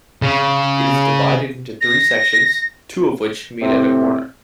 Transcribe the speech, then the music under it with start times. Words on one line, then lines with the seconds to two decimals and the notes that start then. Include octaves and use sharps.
It is divided into three sections, two of which meet at a corner.
0.22 C#3
1.81 A#6
3.62 A2 C3 C4